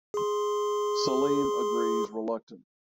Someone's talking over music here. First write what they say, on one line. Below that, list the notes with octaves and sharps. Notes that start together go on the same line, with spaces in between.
Saleem agrees reluctantly.
G#4 C6